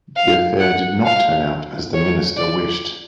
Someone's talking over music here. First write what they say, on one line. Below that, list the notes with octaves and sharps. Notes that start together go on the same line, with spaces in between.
The affair did not turn out as the minister wished.
F5
F#5
F5
C#5
D5